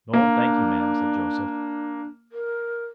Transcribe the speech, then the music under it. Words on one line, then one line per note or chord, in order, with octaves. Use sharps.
"No, thank you, ma'am," said Joseph.
A#3 D4
A#4